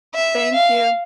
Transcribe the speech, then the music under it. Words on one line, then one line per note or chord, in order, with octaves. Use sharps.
Thank you.
E5
F5